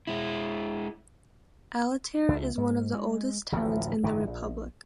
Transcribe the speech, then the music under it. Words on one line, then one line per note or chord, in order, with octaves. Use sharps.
Alatyr is one of the oldest towns in the republic.
G#3 E4
C#2
G#2
G#3
D1 A1 A2 F3
G1 A2 D#3 E3
A#1